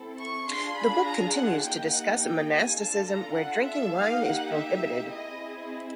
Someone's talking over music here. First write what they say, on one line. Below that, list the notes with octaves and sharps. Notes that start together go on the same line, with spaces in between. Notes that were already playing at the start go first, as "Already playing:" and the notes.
The book continues to discuss monasticism where drinking wine is prohibited.
Already playing: C4 E4 A4
C#6
D4 F4 G#4 C6
B5
A#5
F#5
A#3 D#4 G4 G5
F#5
G5
G#5
D4 F4 A4 A5
A#5
F#5
E5
A#3 D#4 G4 F5
F#5
E5
C4 E4 G#4 D#5